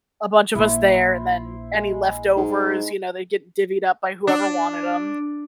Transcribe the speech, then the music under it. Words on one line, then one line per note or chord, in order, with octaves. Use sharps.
a bunch of us there and then any leftovers, you know, they get divvied up by whoever wanted 'em.
A#1 A#3 E4 C5
G#3
G#2
D4